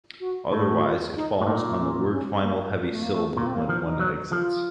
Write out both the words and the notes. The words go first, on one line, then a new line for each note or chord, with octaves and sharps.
Otherwise, it falls on the word-final heavy syllable when one exists.
F#4
A2 A4
F#4
F4
D#4
A2
A#2 D#4
C#4
C#4
A#3
A3
A#3
A3
A#2 A#3
C4
A#3
F3
D#4
F#3
F3 F4